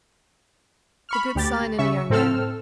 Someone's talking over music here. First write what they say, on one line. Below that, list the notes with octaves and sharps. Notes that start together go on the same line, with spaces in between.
It's a good sign in a young man.
B5 C#6 F6
D2 G4 A6
C#3 E5 C#6
A2 C4 A4 E6 F6